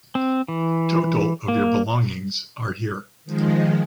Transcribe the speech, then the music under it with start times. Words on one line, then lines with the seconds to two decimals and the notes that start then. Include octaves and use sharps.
Total of your belongings are here.
0.15 C4
0.48 E3
1.48 A#3
3.25 D#3 F3 G#3